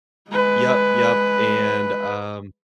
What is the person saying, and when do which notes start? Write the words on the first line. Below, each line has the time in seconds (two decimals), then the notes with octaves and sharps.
Yep. Yep. And, um
0.30 G#3 B4